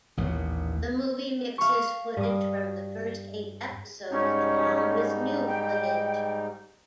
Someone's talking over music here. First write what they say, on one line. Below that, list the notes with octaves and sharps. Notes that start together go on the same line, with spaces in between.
The movie mixes footage from the first eight episodes along with new footage.
A1 D#2 A#2 B3
F5 C#6
G2 D#6
G#2 G3 C#4 D#4
G5